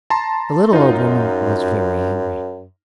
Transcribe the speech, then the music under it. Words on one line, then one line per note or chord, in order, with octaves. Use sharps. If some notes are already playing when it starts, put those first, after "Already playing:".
The little old woman was very angry.
A5 A#5 C6
F#2 D#4 F4